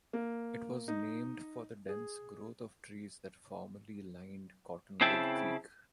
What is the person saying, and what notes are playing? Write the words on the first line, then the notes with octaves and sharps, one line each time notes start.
It was named for the dense growth of trees that formerly lined Cottonwood Creek.
A#3
D#4
G#4
C#3 C4 E4 G5 A5